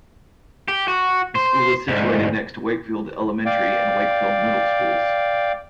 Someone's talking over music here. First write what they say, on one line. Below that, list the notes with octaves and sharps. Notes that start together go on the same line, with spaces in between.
The school is situated next to Wakefield Elementary and Wakefield Middle schools.
G4
F#4
C5
D2 G#2
D5 F5 G5